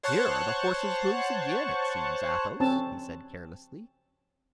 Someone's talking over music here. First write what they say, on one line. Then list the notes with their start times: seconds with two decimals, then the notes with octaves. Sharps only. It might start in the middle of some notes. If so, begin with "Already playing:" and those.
"Here are the horse's hoofs again, it seems, Athos," he said carelessly.
0.03 C5 C#5 F#5 A5 C#6 F#6
2.60 C4 C#4 A5